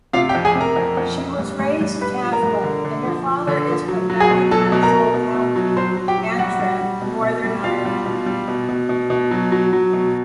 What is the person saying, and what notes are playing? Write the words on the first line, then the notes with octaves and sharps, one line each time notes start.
She was raised Catholic and her father is from Ballycastle, County Antrim, Northern Ireland.
C3 F4 F5
G4 G5
F2
G#4 G#5
C3
A#4 A#5
F2
F2
F2
G2
G2
G2
G2 B4 B5
F3
A#4 A#5
G2
D3
D3
F3
F3
D3
F3
F#3
F#3
G#4 G#5
B2
F#3 A4 A5
B2
A#4 A#5
B2
B2
B2
F#3
F#3 C5 C6
F#3
G4 G5
F#3
G3 F#4 F#5
G3
G3
B2
B2
G3
B2 F4 F5
G3
B2
G3
B2
B2
B2
B2
F#3
F#3
F#3
B2